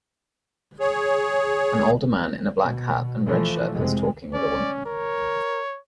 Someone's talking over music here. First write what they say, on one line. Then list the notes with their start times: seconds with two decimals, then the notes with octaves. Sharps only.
An older man in a black hat and red shirt is talking with a woman.
0.80 G#4 C#5
2.61 B2
3.26 B2 E3 F3 A3
3.74 F1 C3 G#3
4.34 C#4 D5
4.86 A#4 C#5